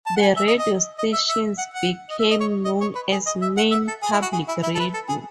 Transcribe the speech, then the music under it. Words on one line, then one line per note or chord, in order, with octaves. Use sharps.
The radio stations became known as "Maine Public Radio".
A5
F#5
G#5
E5
D#5
D#5
D#5
E5
E5
F#5
F#5
D#5
E5
D#5
C#5
D#5
C#5
B4
G#4
D#5
E5
F#5
E5
A4
G#4
E4
F#4
G#4
E4
E4
A4
B4
A4
G#4